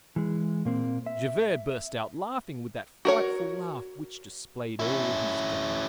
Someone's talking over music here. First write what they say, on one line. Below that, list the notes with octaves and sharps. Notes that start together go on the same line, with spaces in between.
Javert burst out laughing with that frightful laugh which displayed all his gums.
E3 G#3
A#2 A#3 C4
E5
F#4 A#4 C#5
C#4 E4